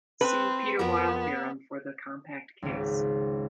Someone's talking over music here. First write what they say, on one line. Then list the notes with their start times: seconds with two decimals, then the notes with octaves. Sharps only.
See Peter-Weyl theorem for the compact case.
0.21 C4 B4
0.79 F2 F3 B3 A#4
2.62 G#1 C#2